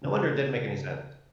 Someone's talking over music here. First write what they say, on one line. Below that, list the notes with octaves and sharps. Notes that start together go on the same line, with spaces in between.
No wonder it didn't make any sense."
C#3